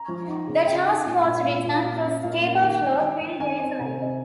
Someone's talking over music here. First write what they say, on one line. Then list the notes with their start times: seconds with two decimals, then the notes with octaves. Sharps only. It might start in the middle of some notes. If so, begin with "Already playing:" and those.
The Task Force returned to Scapa Flow three days later.
Already playing: A#5
0.08 F3
0.27 D#4
0.47 C#3
0.67 C#3 G5
0.86 D#4
1.06 A#2
1.25 A#2
1.45 A#2 F5
1.64 A#2
1.83 C#4
2.03 C#4
2.23 A#2 F5
2.42 A#3
2.62 D#3 G5
2.81 D#3
3.01 D#3
3.21 D#3
3.40 D#3 G#5
3.59 C4
3.79 C3
3.98 C4